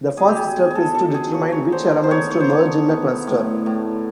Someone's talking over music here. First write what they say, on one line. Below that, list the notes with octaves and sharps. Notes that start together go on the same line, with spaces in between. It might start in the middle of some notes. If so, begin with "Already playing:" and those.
The first step is to determine which elements to merge in a cluster.
B2 G#4
G4
G#4
B2 G#4
G#4 A4
B2 A4
G#4
A#3 C#5
C#5
D3 C5
A#4
C5
B3 C#5
C#5
C5
D3 C#5
B3
A2
A2